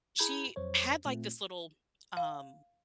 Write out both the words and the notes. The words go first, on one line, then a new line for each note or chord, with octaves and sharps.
she had, like, this little, um,
E4 G#4 A#5 B5 G6 G#6
F2 F#3 C5 C#5
A#2 A3 C4 F4
F5